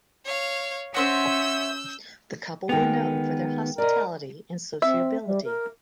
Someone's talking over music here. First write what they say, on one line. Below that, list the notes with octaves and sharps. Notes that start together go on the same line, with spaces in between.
The couple were known for their hospitality and sociability.
C#5 F5
C#4 F#4 C5 E5 E6 G6
D#3 G#3 B3 D#4 F#4 A#4 G5 F7
A#4 D5 D#5
C4 E5
G3
A#4